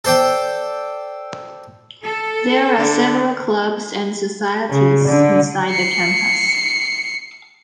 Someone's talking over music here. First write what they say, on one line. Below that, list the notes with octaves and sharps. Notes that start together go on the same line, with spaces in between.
There are several clubs and societies inside the campus.
A4 C5 D5 G5
A4
D3
C#3
D3
C7 C#7